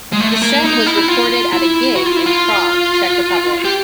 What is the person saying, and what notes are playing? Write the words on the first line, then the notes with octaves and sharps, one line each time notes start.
The set was recorded at a gig in Prague, Czech Republic.
G#3
A3
A#3
D#4
E4
F4
E4
F#4
F4
E4
F4
G4